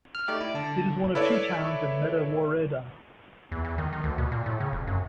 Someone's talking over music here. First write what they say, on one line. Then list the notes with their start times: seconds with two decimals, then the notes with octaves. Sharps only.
It is one of two towns in Meta woreda.
0.15 F6
0.28 A3 D#4 G4 D5
0.41 E4
0.55 D3 A5
1.15 E4 A4 B4 C#5 D5 E5
3.52 E2
3.65 E2
3.78 D#3
3.93 D#3
4.04 D2
4.18 B2
4.32 A#2
4.46 A2
4.60 C#3
4.73 F1
4.87 F#2